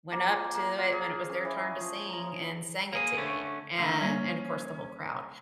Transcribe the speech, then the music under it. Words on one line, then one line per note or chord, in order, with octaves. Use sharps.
went up to it when it was their turn to sing and sang it to me and and, of course, the whole crowd,
A#3
F3
A#3
F4
G#4
C#4
E3
D#5
F3
A#5
A#3 G#4
D3 A3 C#4
D3 A3 A#3
G3 A#3 C#4